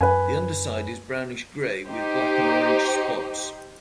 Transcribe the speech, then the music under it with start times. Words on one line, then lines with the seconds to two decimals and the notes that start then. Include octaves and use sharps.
The underside is brownish grey with black and orange spots.
0.01 F#2 B4 G#5
1.86 D#4 G4 C5